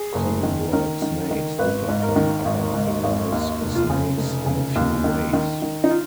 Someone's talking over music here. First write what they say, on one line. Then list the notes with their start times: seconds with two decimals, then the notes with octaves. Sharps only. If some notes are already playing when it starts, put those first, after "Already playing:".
Colubrid snakes differ from other Belize snakes in a few ways.
Already playing: G#4
0.15 F#1
0.43 D#3
0.72 D#3 A#4
1.02 D#3
1.31 D#3
1.58 G#1 B4
1.88 G#2
2.03 A#4
2.16 D#3
2.45 G#1
2.74 G#2
3.03 G#1
3.32 D#2
3.61 F1
3.75 F4
3.90 C#3
4.17 F1
4.46 C#3
4.76 D#2
5.04 D#3
5.33 D#3
5.62 D#3
5.84 D#4
5.91 F4